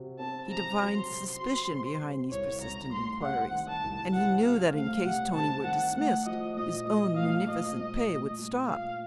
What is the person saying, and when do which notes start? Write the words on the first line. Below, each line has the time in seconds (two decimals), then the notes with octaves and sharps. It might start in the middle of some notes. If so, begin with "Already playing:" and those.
He divined suspicion behind these persistent inquiries, and he knew that in case Tony were dismissed, his own munificent pay would stop.
Already playing: C3 F#4
0.19 C4 A5
0.49 C3 A#5
0.80 F#3
0.96 C6
1.10 C3
1.40 F#4
1.71 C3
2.01 C3
2.31 C2 C#5
2.61 C2 A#5
2.92 A3 C6
3.22 C3 F#5
3.52 D#3
3.68 A5
3.84 C2
4.13 C3 F#5
4.43 C3 F5
4.74 A3 F5
5.04 C3 F#5
5.35 C3 A5
5.65 D#3 F#5
5.95 A3 F#5
6.26 F3 D#5
6.56 A#2 D#5
6.87 A#2 D#5
7.17 A3 F5
7.47 F3 D#5
7.78 A#2
8.08 A3
8.39 A#2
8.68 A#2 F5